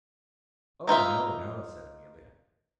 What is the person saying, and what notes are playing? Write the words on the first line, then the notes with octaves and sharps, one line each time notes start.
'Oh no! no!' said Amelia.
A#3 D#4 F4 E5